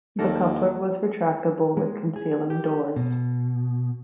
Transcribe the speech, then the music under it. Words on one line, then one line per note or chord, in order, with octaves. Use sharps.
The coupler was retractable with concealing doors.
D#2 A#3 A4
G#3
G#4
G4
B2